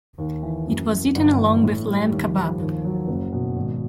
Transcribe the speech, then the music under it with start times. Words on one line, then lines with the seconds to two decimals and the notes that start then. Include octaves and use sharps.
It was eaten along with lamb kabab.
0.18 D#2
0.43 E3
0.67 F#2
0.91 F#3
1.15 G1
1.39 E3
1.64 A2
1.87 G3
2.11 D#2
2.36 F3
2.59 D#2
2.84 F#3
3.08 F#1
3.33 B2
3.57 G#1